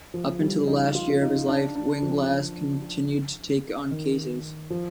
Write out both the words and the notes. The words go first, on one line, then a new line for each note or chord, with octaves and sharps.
Up until the last year of his life, Weinglass continued to take on cases.
F3
G3
D#4
F4
F4
D#4
D4
D4
F3
D#3
F3